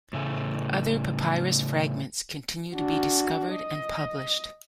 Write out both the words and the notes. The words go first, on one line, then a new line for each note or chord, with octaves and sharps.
Other papyrus fragments continue to be discovered and published.
A2 C#3 A3
D4 F#4
D#5